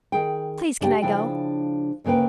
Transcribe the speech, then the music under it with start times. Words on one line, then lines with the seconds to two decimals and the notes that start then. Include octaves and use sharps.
Please can I go?
0.12 D#3 G#4 G5
0.81 C#3 D4 G4 F#5 G5
1.02 C#3 F3 D4 E4 G5
2.04 D2 C#3 A#3 B4 G5